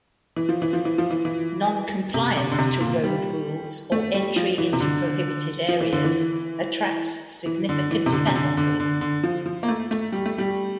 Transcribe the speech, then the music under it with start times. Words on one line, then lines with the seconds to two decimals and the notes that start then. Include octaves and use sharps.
Non-compliance to road rules or entry into prohibited areas attracts significant penalties.
0.36 E3
0.49 F3
0.62 E3
0.73 F3
0.85 E3
0.98 F3
1.11 E3
1.25 E3
2.14 C3
2.37 C3
2.51 D3
2.58 C3
2.80 A#2
3.03 G3
3.92 A3
4.14 G3
4.36 F3
4.58 E3
4.73 C3
4.80 D3
5.68 F3
5.81 E3
5.92 D3
6.04 E3
7.46 E3
7.69 D3
7.91 E3
8.06 C3
8.12 D3
8.27 C3
8.35 D3
8.57 D3
8.80 D3
9.01 D3
9.23 F3
9.46 F3
9.63 A#3
9.68 A3
9.91 A3
10.12 G3
10.26 A3
10.38 G3